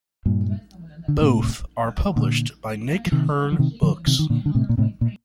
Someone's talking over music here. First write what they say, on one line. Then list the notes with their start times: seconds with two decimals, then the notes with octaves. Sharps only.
Both are published by Nick Hern Books.
0.26 G2 A#2
1.08 D3
1.21 A2 C3
2.16 A#2 D3
3.06 F3
3.12 C3 D#3
3.52 F3
3.59 C3 D#3
3.83 D3 F3
4.06 C3 D#3
4.19 D#3
4.30 A#2 D3
4.46 D3
4.55 A2 C3
4.69 A#2
4.77 A2 C3
5.01 A#2